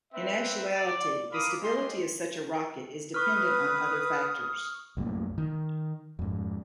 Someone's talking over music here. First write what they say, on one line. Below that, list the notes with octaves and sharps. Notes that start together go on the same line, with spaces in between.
In actuality, the stability of such a rocket is dependent on other factors.
C4 B4 E5
D5
A#4 F5 B5 D6 D#6
G3 G#3 G4 D#5 C6
B4 C#6 D#6 F6
C2 F#2 A2 A#3
D#3
F2 G#2